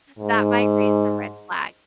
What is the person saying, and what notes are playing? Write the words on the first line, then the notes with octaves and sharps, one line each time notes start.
that might raise some red flags.
G#2